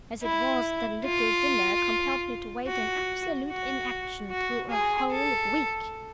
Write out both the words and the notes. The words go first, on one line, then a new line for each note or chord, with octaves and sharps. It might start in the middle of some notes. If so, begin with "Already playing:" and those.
As it was, the "little dinner" compelled me to wait in absolute inaction through a whole week.
E4
F4
F#4
F#4
F#4
G#4
A4